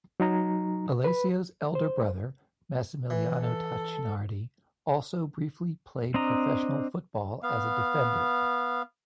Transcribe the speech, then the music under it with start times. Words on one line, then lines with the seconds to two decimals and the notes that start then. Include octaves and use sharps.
Alessio's elder brother, Massimiliano Tacchinardi, also briefly played professional football as a defender.
0.20 F#3 D#4 A#5
1.04 B4 B5
1.75 C5
3.10 E3
3.41 A4
6.14 C4 D4 D#5 A#5
7.43 B3 F5